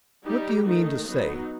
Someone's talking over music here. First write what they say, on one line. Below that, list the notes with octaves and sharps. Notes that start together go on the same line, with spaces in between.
"What do you mean to say?"
G3 D#4 G4
D#3 A3 D#4
F#3 B3 D#4